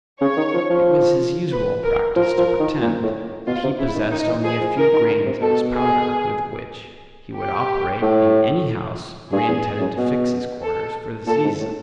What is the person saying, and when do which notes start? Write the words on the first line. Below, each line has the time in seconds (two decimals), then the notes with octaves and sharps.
It was his usual practice to pretend that he possessed only a few grains of his powder, with which he would operate in any house where he intended to fix his quarters for the season.
0.21 C#3 C#5
0.37 D#3
0.54 F3
0.70 F3
1.52 B4
1.83 A#4
2.16 F3 A#4
2.37 F3
2.59 D#3
2.81 A#2
3.03 A2
3.47 B2 F4
3.63 C3
3.79 C#3 E4
3.95 D#3
4.12 D#3 D#4
4.27 E3
4.43 F3 G#4
4.61 F3
4.76 E3 A#4
4.93 D#3
5.08 D3
5.26 C3
5.42 B2 A4
5.74 G#4
7.36 G4
8.02 A2
9.32 G2 G#4
9.48 E2
9.80 F#2
9.97 B2
10.62 A4
11.27 A#2 A4
11.44 G#2
11.59 A2